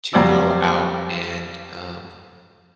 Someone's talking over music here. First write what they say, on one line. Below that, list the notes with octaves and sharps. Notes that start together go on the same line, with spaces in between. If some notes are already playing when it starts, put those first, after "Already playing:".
to go out and, um,
F2 F#3 G3 C5 D5 E6